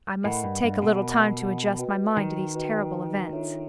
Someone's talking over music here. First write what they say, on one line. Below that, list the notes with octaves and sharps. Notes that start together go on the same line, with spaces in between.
I must take a little time to adjust my mind to these terrible events.
A2 A#4 D#5 F#5 B5
G2
G2
B2
A#4 D#5 F#5 B5
F#4 B4 D#5 G5
D#3
F#4 B4 D#5 G5
D4 F4 A4 C#5 E5